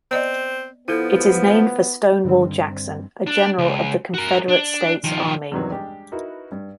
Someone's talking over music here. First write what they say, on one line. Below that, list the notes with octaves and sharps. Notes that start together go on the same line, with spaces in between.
It is named for Stonewall Jackson, a general of the Confederate States Army.
B3 C4 D5 D#5
F3 B3 E4 A4
G2 D3 D#3 G3 C4
D4
C#2
F#4 A#4
D4
D#3 F3
E2 G2 C3 D#3 E3 F#3
G3 G#3 D4 G4
D#4 E4 F#4 A#4 B4
G2